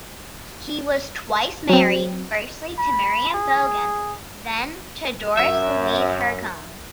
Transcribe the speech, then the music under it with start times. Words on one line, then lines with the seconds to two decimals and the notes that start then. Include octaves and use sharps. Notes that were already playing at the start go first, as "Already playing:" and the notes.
He was twice married, firstly to Miriam Bogen and then to Doris Louise Hurcomb.
1.69 F#3 C4
2.78 B5
3.34 G#4
5.37 F#2 E5